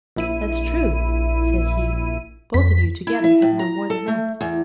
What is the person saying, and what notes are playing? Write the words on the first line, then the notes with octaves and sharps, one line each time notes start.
"That's true," said he, "both of you together have no more than that."
A#1 E4 D#7
F2 B6
E4
E5
A2
A#5
A4
A3
E2